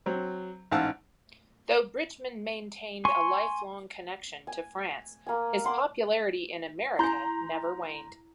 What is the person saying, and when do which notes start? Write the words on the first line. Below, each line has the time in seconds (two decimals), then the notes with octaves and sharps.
Though Bridgman maintained a lifelong connection to France, his popularity in America never waned.
0.06 F#3 C4
0.71 A1 G#2 F5 F#5 A5 E6
3.05 G#5 C6 C#6
4.47 G#5
5.26 A#3 G#5
5.64 F#5 C6 D6
6.99 E4 G#5 A#5 C6 G6